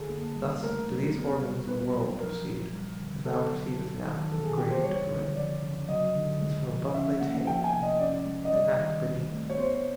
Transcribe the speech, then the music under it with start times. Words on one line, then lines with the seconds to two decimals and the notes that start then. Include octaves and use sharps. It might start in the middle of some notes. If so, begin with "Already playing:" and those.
Thus do these organs of the world proceed, As thou perceivest now, from grade to grade; Since from above they take, and act beneath.
Already playing: D3 G#4 A4
0.10 A#3
0.36 G3
0.62 A3 A#4
0.89 F#3
1.15 B3
1.42 G3
1.68 B3 B4
1.94 F#3
2.20 F3 A#4
2.47 A#2
2.73 G3
3.00 D3
3.25 B3 A4
3.52 F#3
3.79 F#3
4.05 D#3
4.31 E3 A4
4.44 G#4
4.57 C#3 G4
4.70 C5
4.83 G3 C#5
5.10 D3
5.36 F3 D5
5.62 C#3
5.88 F#3 D#5
6.16 D3
6.41 G#3
6.68 F3
6.94 C#4 E5
7.20 A#3 F#5
7.47 F3 G5
7.64 G#5
7.73 C3
7.83 D#5
7.99 C#4 D5
8.26 G#3
8.45 D#5
8.52 G3 D5
8.78 D#3
9.05 C4
9.32 A3
9.50 C#5
9.58 B3 C5